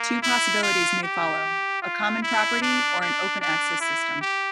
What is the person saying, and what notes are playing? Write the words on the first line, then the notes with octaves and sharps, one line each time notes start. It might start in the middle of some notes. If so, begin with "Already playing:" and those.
Two possibilities may follow: a common property or an open access system.
Already playing: A#3
E4
F4
G4
F4
E4
D4
D4
D4
E4
G4